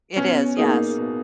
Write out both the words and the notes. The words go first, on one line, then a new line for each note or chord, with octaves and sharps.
It is, yes.
B2 C#4
A#3 D#4 G#4
B2